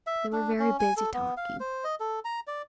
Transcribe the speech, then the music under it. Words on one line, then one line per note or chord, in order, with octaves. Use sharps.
They were very busy talking.
E5
D4
C#4
G#5
A4
B3
F5
C5
D#5
A4
A#5
D5